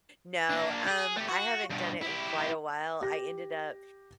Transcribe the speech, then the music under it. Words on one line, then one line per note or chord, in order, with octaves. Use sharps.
No, um, I haven't done it in quite a while, I ended up
A#3 D4
G4 G#4
A3 G4
F#4
G2 B2
E4 G4
G4 A#6